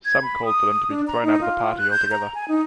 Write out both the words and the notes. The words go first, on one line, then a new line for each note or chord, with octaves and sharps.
Some called for them to be thrown out of the party altogether.
G#6
B5
D#6
D4
A#5
D#4
F4
F#6
G6
A#5
G#5
D#4